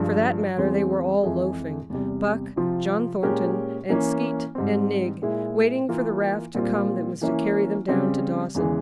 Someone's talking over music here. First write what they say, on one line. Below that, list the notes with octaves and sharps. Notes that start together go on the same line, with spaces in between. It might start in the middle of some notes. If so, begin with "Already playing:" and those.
For that matter, they were all loafing,--Buck, John Thornton, and Skeet and Nig,--waiting for the raft to come that was to carry them down to Dawson.
Already playing: G2 F3 G#3
E2 E3 G#3 C4
F2 E3 G#3 E4 G#4
E2 C3 G3
C3 F3 C4 F4
A#2 G#3 C#4 G4 A#4
E3 A#3 C#4
G#2 G3 C4
A#2 G#3 E4
E3 A#3 F4 A#4
A#2 G3 C4 F4
E3 A#3 C#4 E4
C#3 G3 C4 G4
E2 C#3 E3 G#3